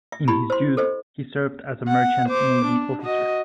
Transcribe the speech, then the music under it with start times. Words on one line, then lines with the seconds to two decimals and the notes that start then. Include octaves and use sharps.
In his youth he served as a merchant navy officer.
0.12 E5
0.28 E4 G4 B5
0.50 C5 C6
0.77 A4 C5 D#5
1.88 F#5
2.29 C5 D6
2.66 D4
3.02 F#4 D#5